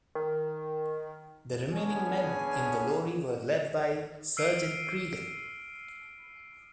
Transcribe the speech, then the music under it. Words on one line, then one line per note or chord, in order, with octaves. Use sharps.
The remaining men in the lorry were led by Sergeant Creegan.
D#3
B3 C#4 D4 G#4 C#5 G#5
E6 F6 C7 D7 D#7